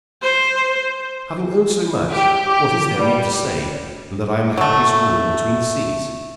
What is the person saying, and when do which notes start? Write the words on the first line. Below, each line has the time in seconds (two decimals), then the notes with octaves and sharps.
Having owned so much, what is there more to say than that I am the happiest woman between the seas?
0.22 C5
2.12 G4
2.48 G4
2.98 G3
4.57 F#3 A3